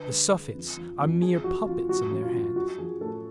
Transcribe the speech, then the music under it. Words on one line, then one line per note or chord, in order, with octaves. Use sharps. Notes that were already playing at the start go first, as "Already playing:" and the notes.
The suffetes are mere puppets in their hands.
Already playing: D3 B4
G#3
G#3
F2
F3
F2
F2 G#4
F3 F#4
F2 F4
F#3 F#4
F#2 F#4
F4
F#2
G#3 F#4
F3 G#4
A2 A4